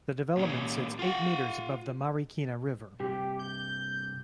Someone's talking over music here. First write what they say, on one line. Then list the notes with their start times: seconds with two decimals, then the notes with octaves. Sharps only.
The development sits eight meters above the Marikina River.
0.37 A#2 C#4
0.99 F4 F#5
3.00 G2 C3 G4
3.39 G6